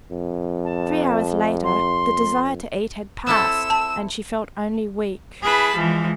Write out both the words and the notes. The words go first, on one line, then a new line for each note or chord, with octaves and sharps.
Three hours later the desire to eat had passed, and she felt only weak.
F2
A5
C6
C4 E4 A4 E6
A5
E4 G#4 B4 A5 B5
E3 F3 G#3